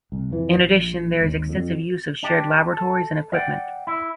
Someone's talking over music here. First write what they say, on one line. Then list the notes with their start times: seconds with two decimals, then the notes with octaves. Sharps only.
In addition, there is extensive use of shared laboratories and equipment.
0.12 C2
0.30 F2 E3
0.57 A#1
1.21 G#1 D#2
1.49 F2
2.23 D4 G4
2.72 A4
3.32 D5 F#5 G5
3.87 E4